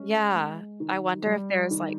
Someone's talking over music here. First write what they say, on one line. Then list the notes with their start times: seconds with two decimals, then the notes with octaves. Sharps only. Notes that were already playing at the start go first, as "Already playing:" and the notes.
Yeah. I wonder if there's, like
Already playing: G#3 C#4
0.35 G#3
0.80 D#3
1.26 G3
1.71 D#3